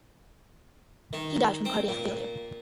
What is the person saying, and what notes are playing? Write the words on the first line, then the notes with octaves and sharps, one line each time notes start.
He died from a cardiac failure.
D#3
C4
A#2